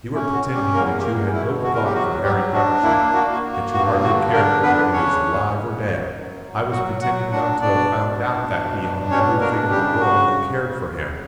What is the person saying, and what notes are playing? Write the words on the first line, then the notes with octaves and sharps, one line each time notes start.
You were pretending that you had no thought for Harry Feversham, that you hardly cared whether he was alive or dead. I was pretending not to have found out that beyond everything in the world you cared for him.
C#4 E4
F#4
C#4
G3 G4
E2 A#3 A#4
G4
E2 A#3 A#4
B2 E4
E2 F#4
A#4
G4
F#3 F#4
F#3 G3 G4
D4 F#4
A#3 E4
A#3 F#4
F#4
A#3
F#4
G2 F#4
D3 F#4
A#3 D4 A#4
B3 D4 B4
C#3 C#4 C#5
C#3
C#3
F#2
F#2
F#3
F#3 F#4 F#5
F#3 F#4 F#5
D4 F#4 F#5
B2 D4 D5
B2
D4
B2
D4
B2 C#4 C#5
A#3 D4 A#4
C#3 G3 G4
C#3 F#4
C#3
C#3
C#3